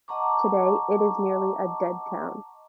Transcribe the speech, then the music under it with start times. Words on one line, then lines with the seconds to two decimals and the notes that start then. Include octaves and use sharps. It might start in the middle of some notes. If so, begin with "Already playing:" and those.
Today it is nearly a dead town.
0.08 D#5 F#5 A5 A#5 C#6 D6